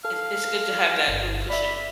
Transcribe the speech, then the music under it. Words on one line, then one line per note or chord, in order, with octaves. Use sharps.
It's it's good to have that little cushion.
A4 F5
A4
G1
D5 E5 B5